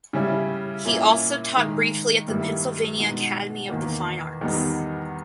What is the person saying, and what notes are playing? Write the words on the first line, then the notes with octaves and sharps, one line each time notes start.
He also taught briefly at the Pennsylvania Academy of the Fine Arts.
C#3 G3 C#4 E4
A#2 A#3 C#4 E4
D#3 G#3 D#4
G2 D#3 G3 A#3 E4
B2 G#3 D#4
E2 D#3 A#3
E2 D#3 G3 B3 D#4